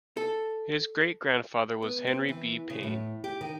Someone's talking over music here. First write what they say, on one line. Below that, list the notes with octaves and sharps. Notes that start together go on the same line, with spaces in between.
His great-grandfather was Henry B. Payne.
A4
B3
C4
E3
C#3
A2
G4
D#3